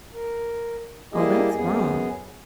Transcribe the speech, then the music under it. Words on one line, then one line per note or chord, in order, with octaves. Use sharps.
"Oh, that's wrong,"
A#4
G3 A#3 E4 G4 G#4 D#5
F#2 B3 G#4